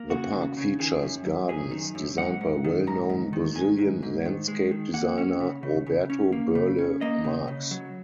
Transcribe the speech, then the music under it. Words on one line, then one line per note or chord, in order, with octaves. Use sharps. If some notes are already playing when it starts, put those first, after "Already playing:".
The park features gardens designed by well-known Brazilian landscape designer Roberto Burle Marx.
Already playing: A#3
C#3 F#4
C#3
C#3
D#3 G#4
F#2
F#2
F#2 G#4
D#3
F#2
G#2 F#5
G#2
D#3
G#2 A#5
G#2
D#3
G#2 G#5
G#2
G#2
D#3
G#3
D#3
A#3 F#5
C#4
C#3
C#3
C#3
C#4
A#3
C#3
C#4
A#3 D#5
C#3
C#3
F#3